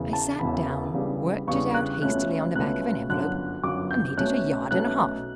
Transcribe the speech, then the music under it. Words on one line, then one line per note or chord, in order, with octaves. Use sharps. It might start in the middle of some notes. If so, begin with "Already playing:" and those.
I sat down, worked it out hastily on the back of an envelope, and made it a yard and a half.
Already playing: E1 E2 C#3 E3
A5
E1 E2 C#3 E3 B5
E2 C#3 G3 D4
E2 C#3 G3 D4 C#6
F#6
C#2 B2 A3 C#4 F#6
C#2 B2 A3 C#4 F#6
G1 F#2 D3 F#3 F#6
G1 F#2 D3 F#3 D6
G6
B1 B2 A3 C#4 F#6
B1 B2 A3 C#4 F#6